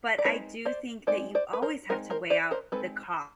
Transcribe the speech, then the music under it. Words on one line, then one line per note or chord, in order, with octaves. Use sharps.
but I do think that you always have to weigh out the costs
D5
G#3 C4 D#4 B4 C#5
C5 D5
G#3 C4 D#4 C5 D5
C5 D5
B4
A#4 C5
G#3 C4 D#4 A#4 C5
A#4 C5
C5 D5
A#4 C5
G#3 C4 D#4 A4 B4